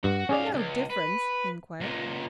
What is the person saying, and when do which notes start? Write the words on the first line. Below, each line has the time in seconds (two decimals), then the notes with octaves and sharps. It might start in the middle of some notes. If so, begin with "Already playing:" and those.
"No difference?" he inquired.
0.04 G2 F#4
0.29 G#2 C#4 G#4 D5 F5
0.54 C#2
0.90 B4
1.80 C#2 A#2